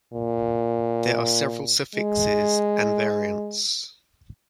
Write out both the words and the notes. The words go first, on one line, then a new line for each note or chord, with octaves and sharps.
There are several suffixes and variants.
A#2
G#3